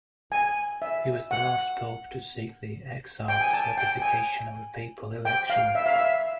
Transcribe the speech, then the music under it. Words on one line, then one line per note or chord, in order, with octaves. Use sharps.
He was the last pope to seek the exarch's ratification of a papal election.
G#5
E5
F#5
G5
G#5
A5
G5
G#5
G5
F5
E5
F5
E5